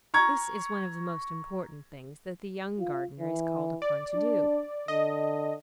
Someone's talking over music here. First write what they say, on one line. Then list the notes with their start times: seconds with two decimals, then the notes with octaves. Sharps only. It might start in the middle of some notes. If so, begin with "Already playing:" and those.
This is one of the most important things that the young gardener is called upon to do.
0.14 A#5 C#6 G#6
2.80 F4
3.20 E3
3.82 D5
4.15 D4
4.88 D3 D#5